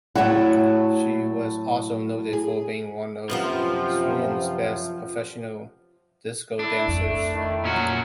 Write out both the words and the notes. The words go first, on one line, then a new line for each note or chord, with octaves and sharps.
She was also noted for being one of Sweden's best professional disco dancers.
A2 F#3 E4 C#5 F#5
G#4
F#2 C3 F3 B3 F4
D4 E4
F2 A3
D#3 A3 E4
A#2 F#3 C#4 F#4